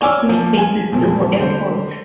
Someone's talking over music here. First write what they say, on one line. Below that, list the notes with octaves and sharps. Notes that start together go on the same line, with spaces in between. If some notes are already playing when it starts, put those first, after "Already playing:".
Its main base is Dubbo Airport.
C#5 D5 G#5 D6 E6 F6
F3
G#5
F2 A#2 F3
D3 C5